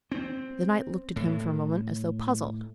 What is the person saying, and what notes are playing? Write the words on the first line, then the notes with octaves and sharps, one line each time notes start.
The knight looked at him for a moment as though puzzled.
C4
A2